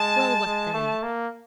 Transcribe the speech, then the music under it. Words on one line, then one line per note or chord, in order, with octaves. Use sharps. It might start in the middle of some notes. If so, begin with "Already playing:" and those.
Well, what then?
Already playing: G#3 A5
G#3
A3
A#3